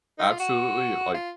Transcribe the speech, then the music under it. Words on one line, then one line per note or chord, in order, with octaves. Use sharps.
absolutely like
D#4
F4
F#4
F4